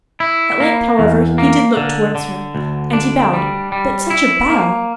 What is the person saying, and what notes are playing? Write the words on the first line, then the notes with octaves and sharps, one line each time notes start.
At length, however, he did look towards her, and he bowed--but such a bow!
E4
A#3
E2
A#3
D3
D3
D2
D4
G3
G3
E4
A#3